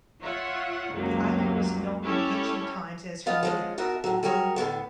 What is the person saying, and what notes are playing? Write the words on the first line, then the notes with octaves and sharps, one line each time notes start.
The island was known in ancient times as Hermea.
F4 C#5 E5 F#5
C#2 F#2 C3 F#3 A#3
C#4 E4 G4 A4
F3 B3 F4 D#5
F3 G#3 C#4
B2 F#4 A#4 E5
A2 F#3
F#3 G3 G4 G#4 A#4 C#5
A2 D3 F#3 B3